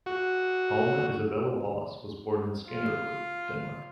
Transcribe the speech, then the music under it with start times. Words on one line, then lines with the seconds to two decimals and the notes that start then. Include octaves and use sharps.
Alma Isabella Bosse was born in Skanderborg, Denmark.
0.06 F#4
2.67 F4 F5